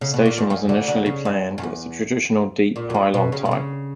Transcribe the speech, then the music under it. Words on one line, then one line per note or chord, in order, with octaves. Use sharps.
The station was initially planned as a traditional deep pylon type.
C#3
B2
A#2
G2
F#2
D2 D3
D2 D3
C#3
F#2
F#2
E2
A#2
F#2
G2
B2
C#3
B2
C#3